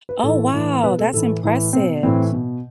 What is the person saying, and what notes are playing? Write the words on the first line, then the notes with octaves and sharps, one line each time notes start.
Oh, wow, that's impressive.
B4
A2 E3 A4
A2 E3
B2 B4
A4
A2 E3 A4
A2 E3
B2 C4
A2 E3 C4
B2